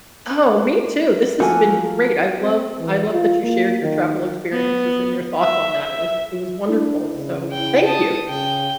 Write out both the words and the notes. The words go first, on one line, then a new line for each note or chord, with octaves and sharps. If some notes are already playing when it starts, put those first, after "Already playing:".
Oh, me too, this has been great. I love I love that you shared your travel experiences and your thoughts on that. It was it was wonderful. So thank you.
F3 A3 A#3 F4 F#4 G#5
C4
E3
F4
A#3
D#3
B3
E5
E5
D4 E4
C#3
G5
A5 D#6
C#3 G5